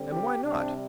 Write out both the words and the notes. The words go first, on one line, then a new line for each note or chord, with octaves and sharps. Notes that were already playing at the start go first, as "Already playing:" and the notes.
"And why not?"
Already playing: D3 G3 C4
G4
C3 G3 C4 D4